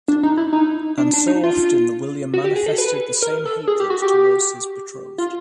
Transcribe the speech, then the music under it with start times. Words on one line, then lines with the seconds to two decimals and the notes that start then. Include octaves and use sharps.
And so often William manifested the same hatred towards his betrothed.
0.08 D4
0.23 D#4
0.37 E4
0.53 D#4
0.98 D4
1.13 D4
1.27 D#4
1.43 F4
2.34 F#4
2.44 G4
2.56 G#4
2.66 A4
2.78 B4
3.22 A#4
3.45 A4
3.67 G#4
3.80 G4
3.90 F#4
4.02 G4
5.18 F4